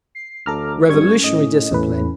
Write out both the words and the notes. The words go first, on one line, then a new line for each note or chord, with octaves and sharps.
Revolutionary discipline!
C7
D2 A4 A#5 D6 F6
G#1 G3 C#4 C#6 G#6
A2 D#5
E2 A2 B4